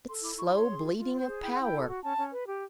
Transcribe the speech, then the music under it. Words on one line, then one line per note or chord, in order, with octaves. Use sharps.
It's slow bleeding of power.'
A4 C6
E4 D6
E4 C#6
B5
C#5 C6
G#4
F4
F4
C5
G#4
E4 G5
F#5
E4 G5
A4
F#4
C#4 A5
C#4
B4
G4